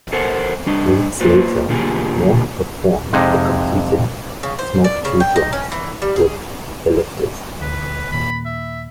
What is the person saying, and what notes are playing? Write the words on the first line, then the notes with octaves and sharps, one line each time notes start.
Weeks later, Mawg performed the completed "Smoke Two Joints" with "The Lifters".
A4 A#4 C5 F#5
G3 D4 D#5
A#3 F4 B4 C5
B2 D3 A#3 F4 G4 G#4
F2 C3 G#3 D#4
C#3
C5
D5
C#3
G5
D#4
C#4
E3
G3
G#4
D#1 G#1 D2 B4
D#2 A#2 B5
E5